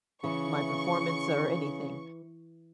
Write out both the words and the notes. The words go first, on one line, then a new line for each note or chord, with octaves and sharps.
my performance or anything.
C#3 E3 C#6